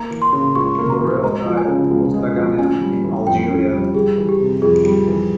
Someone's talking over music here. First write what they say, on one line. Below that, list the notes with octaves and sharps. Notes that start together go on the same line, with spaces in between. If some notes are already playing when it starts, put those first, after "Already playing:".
Borel died at Mostaganem in Algeria.
Already playing: A#3 A#5
E3
C6
C#3
C#2 C#6
A#3
A#5
E3
G#3 A#5
F3
G#5
C#3
C#2
G#3
F3
C#4 G#5
G3
E3
F2 G5
C#4
G3
G3 G#4
E3
G4
C3
F2 G#4
G3
E3